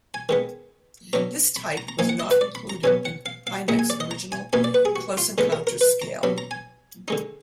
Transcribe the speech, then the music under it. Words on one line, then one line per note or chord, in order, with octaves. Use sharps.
This type was not included in Hynek's original close encounters scale.
G#5
D#3 G#3 B3
B2 F#3 D4 A#5
B5
A#5
A#5
F3 A#3 D#4 G#5
F#5
D#5
B4
D5
B5
A#5
B2 F#3 B3 G#5
F#5
F5
F5
A#2 G#3 D#4 F#5
G#5
D5
D#5
A#5
G#5
B2 A#3 D#4 G#5
D5
B4
G#4
F#4
F4
D3 G#3 B3 D#4
A#4
A#4
B4
A#5
B2 F#3 D4 B5
A#5
G#5
D3 G#3 D#4